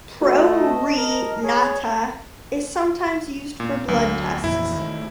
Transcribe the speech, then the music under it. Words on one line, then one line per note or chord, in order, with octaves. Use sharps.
"Pro re nata" is sometimes used for blood tests.
A3 F#4 D#5
A5
A#4
G#4 C#5
A#2
D2 F#3
F2 A#2 E3 E4
D#3 A3